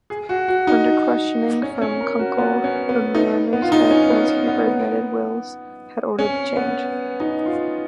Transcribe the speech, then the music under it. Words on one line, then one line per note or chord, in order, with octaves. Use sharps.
Under questioning from Kunkel, the Mariners' head groundskeeper admitted Wills had ordered the change.
G#4
F#4
F#4
D#4
C#4
C#4
A#4
F#4
B3
C#4
B3
D#4
B3
F4
D#4
C#4
B3
B3
B3
C#4
B3
D#4
F4